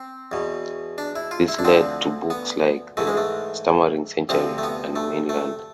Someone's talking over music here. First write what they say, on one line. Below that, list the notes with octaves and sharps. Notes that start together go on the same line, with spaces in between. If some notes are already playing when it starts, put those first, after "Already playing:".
This led to books like "The Stammering Century" and "Mainland".
Already playing: C4
E2 B2
D4
E4
F4
E4
D4
D2 D3 F3 C4
B3
G#2 E3 A3
G#3
A3
D2 C3 F3 C4
A3
B3
A3
A3